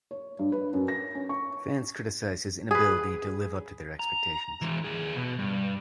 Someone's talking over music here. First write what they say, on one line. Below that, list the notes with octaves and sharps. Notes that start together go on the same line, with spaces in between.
Fans criticize his inability to live up to their expectations.
C#5
G2
B4
F#2
A#6
C#4
C#6
G#4 B4
A#5
E3 G#3
D#2 G#4
B2
G2